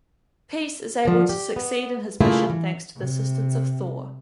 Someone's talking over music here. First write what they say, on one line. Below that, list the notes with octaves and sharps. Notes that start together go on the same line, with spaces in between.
Peace is able to succeed in his mission thanks to the assistance of Thor.
D3 F3
G4
B3
C#3 A3 A#3 E4 F4 G#4
E3
C3